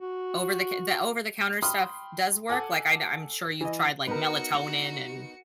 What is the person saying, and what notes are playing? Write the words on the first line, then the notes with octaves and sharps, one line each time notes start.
over the c the over-the-counter stuff does work? Like I'd I'm sure you've tried like melatonin and
F#4
G5 B5 C6 D#6 F6
A4 F#5 G#5 D6
E3 D#5
B3 D#4 F#4 A#4 B4 C#7